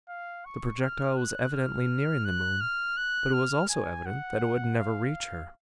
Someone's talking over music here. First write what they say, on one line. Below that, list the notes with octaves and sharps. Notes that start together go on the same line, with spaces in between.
The projectile was evidently nearing the moon, but it was also evident that it would never reach her.
F5
C#6
F6
F#6
F6
F#6
F6
F#6
F6
G#5
F#5
F5